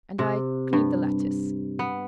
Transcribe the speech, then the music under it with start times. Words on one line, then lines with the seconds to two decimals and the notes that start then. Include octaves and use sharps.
And I--cleaned the lettuce.
0.19 C3
0.73 G2
1.79 B3